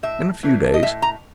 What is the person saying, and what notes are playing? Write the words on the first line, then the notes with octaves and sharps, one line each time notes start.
In a few days.
A2 E5
E3 A3 D4
D#5
A2 E5
A#5